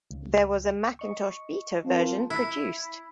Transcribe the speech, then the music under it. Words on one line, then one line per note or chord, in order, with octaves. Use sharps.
There was a Macintosh Beta version produced.
C#2
D#5 C#6
F3 C4 A#4
E4